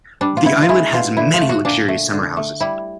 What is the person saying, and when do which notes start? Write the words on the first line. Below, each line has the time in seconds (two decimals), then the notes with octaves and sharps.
The islet has many luxurious summer houses.
0.21 G3 D4
0.37 F4
0.45 B2 E4
0.62 F4
0.69 G#3 E4
0.93 B2 F4
1.17 D3 E4
1.34 F4
1.41 A3
1.49 F#4
1.65 A#2 D4
1.88 A3
2.13 D3
2.37 A3
2.60 G3 E4